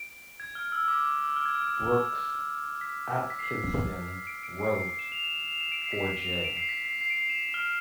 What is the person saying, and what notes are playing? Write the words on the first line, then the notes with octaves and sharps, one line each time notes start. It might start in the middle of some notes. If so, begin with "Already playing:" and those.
Brooks Atkinson wrote: For 'J.
Already playing: D7
G#6
F6
E6
D6
D6
D6
E6
F6
G#6
F6
B6
B6
C7
B6
D7
D7
C7
C7
C7
E7
F7
E7
E7
F7
E7
D7
C7
B6
C7
F7
E7
D7
C7
B6
C7
C7
D7
C7
E7
E7
F6